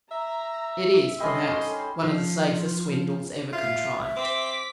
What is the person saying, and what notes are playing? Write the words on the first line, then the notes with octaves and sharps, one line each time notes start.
It is, perhaps, one of the safest swindles ever contrived.
E5 A#5
D#3 G3 C#4 A4 D#5 C6
F3
F4 E5
C4 D6 B6